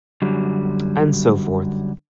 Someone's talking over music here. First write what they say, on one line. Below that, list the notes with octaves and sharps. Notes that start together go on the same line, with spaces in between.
And so forth.
F#2 D3 F#3 G3